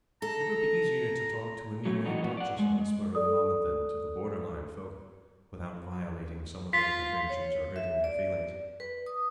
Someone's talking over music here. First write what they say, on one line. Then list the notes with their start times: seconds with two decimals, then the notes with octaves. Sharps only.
It would be easier to talk to a new made Duchess on the spur of the moment than to the Borderline folk without violating some of their conventions or hurting their feelings.
0.22 A4 A#5
1.85 F#3 A3 C#4
2.04 E3 G3 D#4 F#4
2.21 F2 E3 B3 F#4
2.37 D5 F#5
2.59 G#3
2.78 G#3
3.15 A4 D5 D#6
6.73 F4 B6
7.29 C#5
7.76 E5
8.04 D5
8.80 B4
9.06 D#6